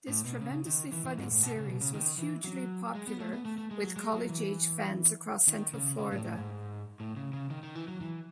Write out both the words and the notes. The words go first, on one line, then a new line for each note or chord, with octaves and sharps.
This tremendously funny series was hugely popular with college aged fans across Central Florida.
A2
B2
C#3
D#3
E3
E3
G#2
A2
B2
C#3
B2
C#3
D#3
E3
F#3
G#3
B3
A3
B3
A3
A3
G#3
F#3
G#3
F#3
E3
D#3
C#3
C#3
A2
A2
G#2
A2
C#3
C#3
D#3
D#3
E3
F#3
E3